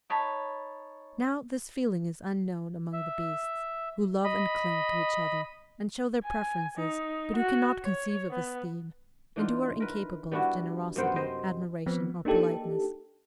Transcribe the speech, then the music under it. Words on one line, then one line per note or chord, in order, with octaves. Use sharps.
Now, this feeling is unknown among the beasts, who love and cling to each other, and show their preferences, but who cannot conceive of esteem, and who are incapable of generosity, admiration, or politeness.
D#4 C#5 A5 B5
E5
D#5 B5
G#5
D#4
F#4
C#5
B3
E3 D4 D#4 F4
A#4 B4
G3 B3 D4 E4 F#4
F#2 C3 B3 C5 F#5 G5
C4 C5 D#5
F3 B3 C4
A#3 D4 D#4 G4 A4